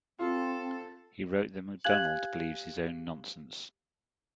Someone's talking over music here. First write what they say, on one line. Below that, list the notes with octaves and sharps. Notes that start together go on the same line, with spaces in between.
He wrote that MacDonald believes his own nonsense.
C4 F4 A4
G4 F5 G#5 F#6 G#6 F#7